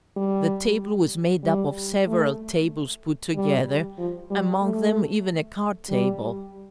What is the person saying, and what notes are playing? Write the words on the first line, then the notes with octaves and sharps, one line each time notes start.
The table was made up of several tables put together, among them even a card-table.
G3
G3
A3
G3
F3
G3
A3
G3